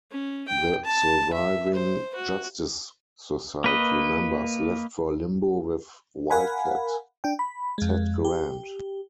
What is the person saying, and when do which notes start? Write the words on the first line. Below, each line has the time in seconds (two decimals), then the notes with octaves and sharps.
The surviving Justice Society members left for Limbo with Wildcat Ted Grant.
0.11 C#4
0.48 G5
0.85 A5
1.34 E5
1.75 C5
2.15 F#4
3.64 A#3 B4 D#5
6.30 A#4 F5 F#5 G#5 B5
7.24 D4 G5
7.39 B5
7.78 F2 G#3
8.25 G4